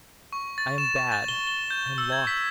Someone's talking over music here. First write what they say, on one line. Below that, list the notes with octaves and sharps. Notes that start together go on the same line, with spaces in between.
'I am bad, I am lost.
C#6
A6
E7
C#6
A6
G7
G7
G6
E6
G#6
B6